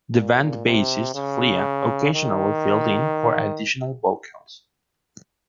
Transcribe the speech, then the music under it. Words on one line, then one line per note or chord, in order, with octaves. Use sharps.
The band's bassist Flea occasionally filled in for additional vocals.
A#2
C3
C#3
D#3